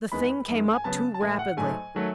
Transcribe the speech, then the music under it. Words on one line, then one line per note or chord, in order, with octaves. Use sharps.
The thing came up too rapidly.
E2 D#3 G#3 B3 B5
F#2 D#3 G#3
G#5
C#3 F#3 B3 A5
A5
A2 E3 A3 G#5
F#5
G#2 F#3 A3 G#5
D#3 F#3 A3